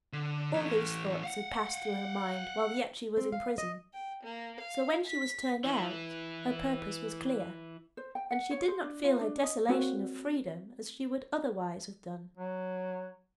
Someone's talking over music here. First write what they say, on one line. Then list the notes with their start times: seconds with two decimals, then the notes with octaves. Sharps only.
All these thoughts had passed through her mind while yet she was in prison; so when she was turned out, her purpose was clear, and she did not feel her desolation of freedom as she would otherwise have done.
0.13 D3
0.54 E3 A3
1.23 F5 F#5
3.17 C4
3.32 F5
3.58 D#5
3.93 G5
4.23 A#3
4.60 F5
5.07 B6
5.64 E3 E4
7.97 C5
8.15 G5
8.31 F#5
8.51 C#5
8.68 C5
8.84 D4
9.04 F4
9.21 D4
9.43 D#5
9.68 A3 A#3 C4 F#4
12.37 F#3